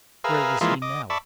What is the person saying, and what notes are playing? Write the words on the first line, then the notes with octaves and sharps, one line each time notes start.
Where was he now?
G#4 A#4 B4 E5 F5
E3 F3 G#3 A#3 F4 E5
D#5 D6
D5 E5 A5 B5 C#6